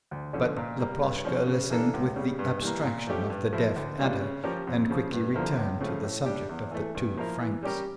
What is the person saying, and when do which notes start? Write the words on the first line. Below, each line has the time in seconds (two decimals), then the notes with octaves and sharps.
But Laploshka listened with the abstraction of the deaf adder, and quickly returned to the subject of the two francs.
0.11 D2
0.33 D3 F3 C#4
0.57 A#2
0.79 G3 A#3
1.01 G2
1.25 F3 C#4
1.47 C#3
1.70 E3 A#3 D4 A4
1.94 C#2
2.16 C#3 G3
2.39 G2
2.62 E3 G3 A#3
2.85 A#2
3.07 F3 A3 C#4 G4
3.30 G2
3.53 F3 A3 E4
3.76 D2
3.98 C#3 G3 D4 F4
4.21 C#3
4.44 F3 C#4 G4 A#4
4.67 F2
4.90 C#3 F3
5.12 G2
5.34 D3 F3 A#3 E4
5.57 C#2
5.81 C#3 F3 A3
6.03 A2
6.26 G3 D4 G4
6.49 E2
6.71 E3 A3
6.95 G2
7.17 F3 A#3 E4 A#4
7.40 E3
7.63 G3 C#4 G4 A#4